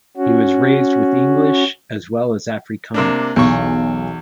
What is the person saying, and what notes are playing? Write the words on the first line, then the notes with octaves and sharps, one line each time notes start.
He was raised with English as well as Afrikaans.
C#4 F#4
C3 A#3 D4
B1 E2 C#6